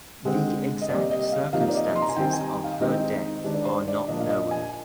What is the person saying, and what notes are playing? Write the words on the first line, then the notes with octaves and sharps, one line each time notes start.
The exact circumstances of her death are not known.
D3 G#3 C4
D#5
C3 G3 A#3 D5
D#5
F5
C3 F3 A#3 D#4 F5
D#5
D5
D#5
C6
A#5
G#5
D#3 G3 C4 D#4 G5
G#5
F5
D#3 G#3 C4 D#4 D#5
D#3 G#3 D4
D5
C5
D5
A#2 F3 A#3 D4 D#5
F5
D#5
G#5